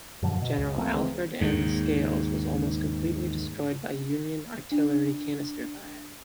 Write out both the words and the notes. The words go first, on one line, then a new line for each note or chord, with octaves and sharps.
General Alfred M. Scales was almost completely destroyed by Union artillery canister fire.
F#2 A#2 D3 F3
B2
C#2
F3 A3 A#3 C4
C#3 E3 G#3 C4
D#2 G#2
D4